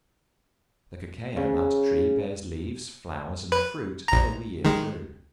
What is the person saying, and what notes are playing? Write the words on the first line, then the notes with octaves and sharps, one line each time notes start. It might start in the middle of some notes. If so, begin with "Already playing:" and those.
The cacao-nut tree bears leaves, flowers, and fruit, all the year through.
C#3
B4
A#1 A#5
D#3 G#3